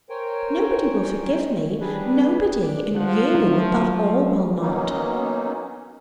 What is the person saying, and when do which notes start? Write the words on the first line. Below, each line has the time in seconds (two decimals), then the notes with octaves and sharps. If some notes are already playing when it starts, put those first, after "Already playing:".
Nobody will forgive me, nobody! and you above all will not! . . .
0.10 A#4 C5 C#5 G5 G#5
1.80 G3 D4 G#4 B4
2.63 D4
2.96 F3 F#5
3.35 F#3 A3
4.60 F#3 A#3 B3 C#4 D#4